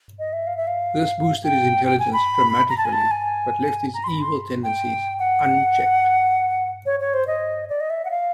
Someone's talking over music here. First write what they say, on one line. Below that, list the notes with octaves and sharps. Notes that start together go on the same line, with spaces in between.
This boosted his intelligence dramatically, but left his evil tendencies unchecked.
D#5
E5
F5
E5
F5
G5
G5
G#5
B5
A#5
A5
G#5
A5
G#5
A#5
C6
B5
C6
G5
F#5
C#5
C#5
C5
D#5
D5
D#5
E5
F#5
F5